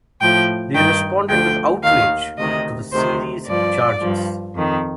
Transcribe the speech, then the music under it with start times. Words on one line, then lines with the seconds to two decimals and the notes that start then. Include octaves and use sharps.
They responded with outrage to the series' charges.
0.21 A2 F3 G5
0.74 G2 D#3 G5
1.29 D2 D3 F3 G5
1.83 D#2 D#3 F5
2.37 D2 C3 D#3 D#5
2.92 D2 C3 D#3 C5
3.46 G2 F3 D5
4.01 G2 F3
4.54 F2 D#3